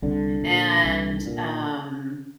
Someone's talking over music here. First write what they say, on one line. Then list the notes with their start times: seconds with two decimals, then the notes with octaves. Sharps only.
and, um,
0.02 C2 D3
0.43 A#2
0.84 C2
1.26 A#2